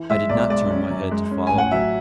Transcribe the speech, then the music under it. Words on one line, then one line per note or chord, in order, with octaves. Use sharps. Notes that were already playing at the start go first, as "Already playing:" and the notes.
I did not turn my head to follow her.
Already playing: E3
G#3 E5
B1 D5
G#3 D5
C#4
F#2
G#3
C#4
A1 G#5
F#5
F#3 E5